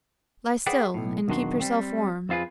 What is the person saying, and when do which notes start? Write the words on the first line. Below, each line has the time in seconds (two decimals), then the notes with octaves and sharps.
Lie still, and keep yourself warm.'
0.67 G#4 B4 C5 D5 F#5 G5
0.94 B1 A2
1.28 B1 E2 D#3 D4 F#4 C6
1.60 G3 C4
2.29 F2 C4 F4 G#4 B4